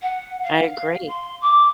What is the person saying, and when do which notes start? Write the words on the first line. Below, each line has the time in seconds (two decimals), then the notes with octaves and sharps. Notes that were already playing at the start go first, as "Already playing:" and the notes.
I agree.
0.02 F#5
0.42 F5
1.08 C6
1.41 D6